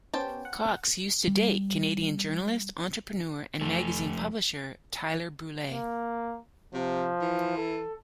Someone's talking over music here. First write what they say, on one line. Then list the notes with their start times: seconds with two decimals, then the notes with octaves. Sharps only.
Cox used to date Canadian journalist, entrepreneur, and magazine publisher Tyler Brûlé.
0.14 B3 C#4 G4 C5 G5 A5
0.45 F#5
1.27 G3
3.61 F2 A3
5.71 A#3
6.74 C3 F3
7.21 E3
7.57 A4